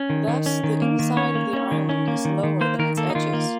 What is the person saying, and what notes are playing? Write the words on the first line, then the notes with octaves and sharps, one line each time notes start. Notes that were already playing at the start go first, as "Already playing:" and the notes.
Thus the inside of the island is lower than its edges.
Already playing: C#4
D#3
D#3
C#4
D#3
A#3
D#3
C#4 C#5
A#3
C#4
D#3
C#4
A#3
D#3
D#3
A#3 C5
D#3 A#4
A#3 A4
D#4
D#3 F4
A#3